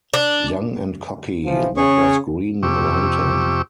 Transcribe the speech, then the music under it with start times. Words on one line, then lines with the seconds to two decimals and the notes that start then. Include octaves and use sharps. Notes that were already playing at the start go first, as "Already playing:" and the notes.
Young and cocky, that was Green Lantern.
0.14 D4
1.45 E3 F3
1.77 C#3 C#4 G#4 C#5 C#6
2.63 F2 C3 G4 C#6 D6 E6